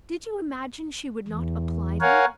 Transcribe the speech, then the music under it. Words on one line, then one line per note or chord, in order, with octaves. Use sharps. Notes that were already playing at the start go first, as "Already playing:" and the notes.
Did you imagine she would not apply them?
E2
A#4 C#5 F5 F#5 G#5